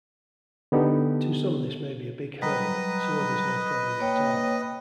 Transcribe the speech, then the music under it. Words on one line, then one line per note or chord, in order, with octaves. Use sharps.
To some this may be a big hurdle, to others no problem at all.
D3 B3 D#4 G4 A4
F#3 G3 B4 D#5 A#5
A#3 C#5 G5